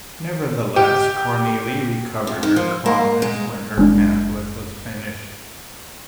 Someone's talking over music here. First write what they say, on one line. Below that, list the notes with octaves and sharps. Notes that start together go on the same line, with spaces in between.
Nevertheless Cornelie recovered her calmness when her pamphlet was finished.
G4
F2
D#3
F3
A#3
G#3
F#1 G#3 D4